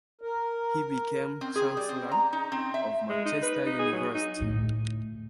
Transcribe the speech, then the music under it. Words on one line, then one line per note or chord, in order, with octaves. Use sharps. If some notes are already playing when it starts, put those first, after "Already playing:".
He became Chancellor of Manchester University.
A#4
C4
G#4
G3
C4
A#5
D#4
C4
E5
G#3
D#4
B4
D#4
G#4
F#3
D#4
D2 A2